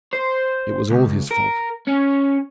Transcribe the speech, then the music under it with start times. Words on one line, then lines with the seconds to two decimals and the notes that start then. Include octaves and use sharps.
It was all his fault.
0.13 C5
0.90 C#2
1.31 A#4
1.87 C#4